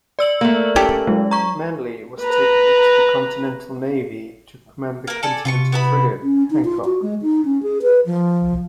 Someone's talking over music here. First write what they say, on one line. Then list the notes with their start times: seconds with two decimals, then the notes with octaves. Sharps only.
Manley was taken into the Continental Navy to command the Continental frigate "Hancock".
0.19 D5 E6 F#7
0.41 A3 A#3
0.76 C#4 G4 A4
1.07 F#3 G#3
1.31 A#5 C#6
2.22 B4 A#5
5.07 A#3 A#4
5.23 A4 D5 G#5
5.45 C3 F4 C6 C#6
5.72 B3 E4 B5
6.22 C#4
6.51 D#4
6.65 F4
6.85 F#4
7.02 G#3
7.22 D#4
7.45 C#4
7.63 G#4
7.82 B4
8.06 F3